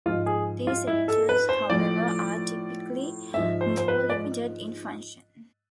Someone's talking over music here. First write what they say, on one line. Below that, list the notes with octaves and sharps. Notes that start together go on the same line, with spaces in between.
These editors, however, are typically more limited in function.
G#2 F3 F4
G#4
F4
E4
A4
B4
C5
A2 F3 D5
G#2 F3 E5
C5
C5
B4
D5